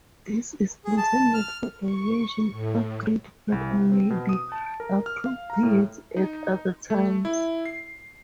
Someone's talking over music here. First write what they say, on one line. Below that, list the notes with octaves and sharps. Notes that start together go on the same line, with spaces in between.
This is intended for a version upgrade, but may be appropriate at other times.
G#4
A5
F6
C#6
A2
C2
C3
C4
B2
D#6
A5
A#4
F6
F5
A#5
A2
D#4
A3
E4
C7